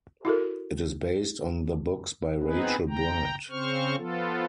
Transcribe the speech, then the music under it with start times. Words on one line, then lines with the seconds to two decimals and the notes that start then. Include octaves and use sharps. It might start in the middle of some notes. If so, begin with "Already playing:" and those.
It is based on the books by Rachel Bright.
0.25 E4 F#4 A4 A#4
2.42 B3 C4 D#4 G#4 B4
2.89 G5 A#5
3.50 C#3 C4 C5 C#6 F6
3.97 F3 B3 F4 A4